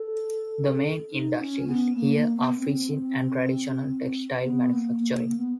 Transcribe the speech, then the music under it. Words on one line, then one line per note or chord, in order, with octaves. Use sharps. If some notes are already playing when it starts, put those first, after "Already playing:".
The main industries here are fishing and traditional textile manufacturing.
Already playing: A4
D#4
C#4
B3
A#3
A#3
B3
C4
B3
A#3
A#3
A#3
B3